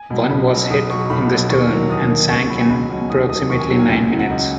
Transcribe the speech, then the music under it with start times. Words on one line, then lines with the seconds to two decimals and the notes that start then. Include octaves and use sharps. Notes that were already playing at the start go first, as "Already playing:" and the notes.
One was hit in the stern and sank in approximately nine minutes.
Already playing: G#5
0.10 B2 F#3
0.30 B1 B5
0.50 B2 F#3
0.70 B1 D#6
0.90 B2 F#3 C#6
1.10 B1 B5
1.30 B2 F#3
1.50 D#2 C#6
1.71 D#3 F#3
1.90 D#2 D#6
2.10 D#3 F#3
2.30 C#2 C#6
2.50 B2 F#3 B5
2.60 G#5
2.69 C#2 B5
2.90 B2 F#3
3.10 D#2 D#6
3.30 D#3 F#3 D#6
3.50 D#2 C#6
3.60 G#5
3.70 D#3 F#3
3.79 G#5
3.89 C#2 G#5
4.10 C#3 F#3
4.19 F#5
4.30 C#2 D#5